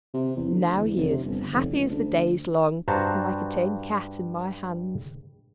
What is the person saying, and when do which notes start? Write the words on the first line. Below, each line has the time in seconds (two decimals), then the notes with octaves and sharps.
Now he is as happy as the day is long, and like a tame cat in my hands.
0.14 C3
0.36 E2
0.50 D2
0.77 E2
0.96 F1
1.09 C3
1.24 G1
1.52 F1
1.71 C#2
1.90 D2
2.88 G2 F#4 C5 A5 A#5